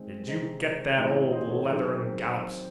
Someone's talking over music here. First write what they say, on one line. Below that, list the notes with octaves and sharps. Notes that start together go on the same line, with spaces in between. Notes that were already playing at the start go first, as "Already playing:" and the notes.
Did you get that, old Leather-and-Gallops?'
Already playing: D#3 G#3 C4
C3 E3 C4 D#4 G#4 C5 D#5
A2 E3 C4 D#4 G#4 C5 D#5
C#5 E5
C5 D#5
A4 C#5
D#3 F#3 C4 G#4 C5